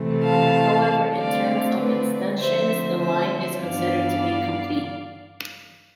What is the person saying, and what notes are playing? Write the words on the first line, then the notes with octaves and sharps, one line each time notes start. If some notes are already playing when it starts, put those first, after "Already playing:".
However, in terms of extensions, the line is considered to be complete.
Already playing: C3 E3 A3
F5 A5
D3 A3 C4 D5 F5
B4 D5
D3 F3 A3 C4 C5 E5
C5 E5
G2 E3 B3 D4 D5 F5